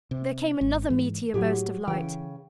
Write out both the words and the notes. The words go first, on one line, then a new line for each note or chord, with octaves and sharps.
There came another meteor burst of light.
C3
G#1
G#2 E3
A2 F#3 G4 G#4
C#3 E3 G5